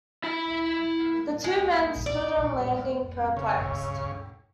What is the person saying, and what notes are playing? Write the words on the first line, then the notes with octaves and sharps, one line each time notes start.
The two men stood on the landing perplexed.
E4 B5
G#3
D5
C#3